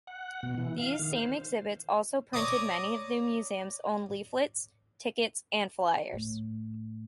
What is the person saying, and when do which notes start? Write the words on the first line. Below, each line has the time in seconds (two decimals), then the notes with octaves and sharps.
These same exhibits also printed many of the museum's own leaflets, tickets and flyers.
0.07 F#5
0.43 B2
0.58 E3
0.78 F5
0.99 D#3
1.14 C5
2.33 C#5 D5 A#5 D6 D#6
6.14 A2